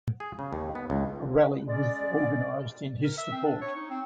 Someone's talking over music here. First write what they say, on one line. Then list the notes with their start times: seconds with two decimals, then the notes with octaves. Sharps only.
A rally was organised in his support.
0.20 G#4
0.39 C#3
0.53 D#2
0.75 B3
0.90 C#2
1.67 G#3 C#4 D5
3.04 A#4
3.18 E5
3.32 C4
3.45 D4
3.61 C#5
3.76 D#4
3.90 C4